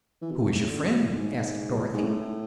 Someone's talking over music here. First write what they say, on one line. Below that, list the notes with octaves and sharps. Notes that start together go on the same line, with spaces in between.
"Who is your friend?" asked Dorothy.
E3
B2
A2
D3
C#3
B2
A2
G#2
E2
G#2
A2